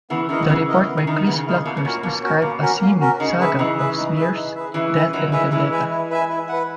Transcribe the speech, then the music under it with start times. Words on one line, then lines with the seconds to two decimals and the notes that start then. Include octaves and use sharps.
The report by Chris Blackhurst described A seamy saga of smears, death and vendetta.
0.10 C#3 E3 B3
0.29 C#3 E3 E4 A#4 D#5
0.42 F#3
0.48 C#3 E3 B3
0.68 E4 A#4 D#5
0.87 B3
0.97 C#3
1.06 D#3 E4 A#4 D#5
1.17 D#3
1.26 C#3 B3
1.46 E4 A#4 D#5
1.65 B2 A#3
1.77 B2
1.84 A#2 C#4 F#4 A#4
2.03 B2 A#3
2.23 C#4 F#4 A#4
2.42 B2 A#3
2.61 C#4 F#4 A#4
2.81 A#3
3.00 C#4 F#4 A#4
3.20 C#3 D#4
3.39 G#4 B4 E5
3.58 C#3 E3 D#4
3.77 G#4 B4 E5
3.97 D#4
4.16 G#4 B4 E5
4.36 D#4
4.55 G#4 B4 E5
4.74 C#3 E3 E4
4.94 B4 E5 G#5
5.13 D#3 F#3 E4
5.32 E3 G#3 B4 E5 G#5
5.52 E3 G#3 E4
5.71 B4 E5 G#5
5.91 E4
6.10 B4 E5 G#5
6.29 E4
6.49 B4 F#5